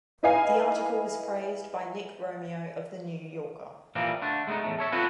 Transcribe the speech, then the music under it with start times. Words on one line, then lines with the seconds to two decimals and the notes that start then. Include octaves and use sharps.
The article was praised by Nick Romeo of "The New Yorker".
0.23 D#4 E4 B4 D#5 F5 G#5
3.95 A#2 E3 F3 G3 A#3 C4
4.22 D3 A3 D4
4.47 G#3 A3 B3 D4 D#4
4.63 E2 A2 A3
4.79 A4 C#5 E5
4.92 B3 C4 F4 F#4 A4 B4